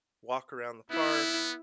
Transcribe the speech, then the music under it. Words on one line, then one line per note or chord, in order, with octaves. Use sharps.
walk around the park,
B3 E4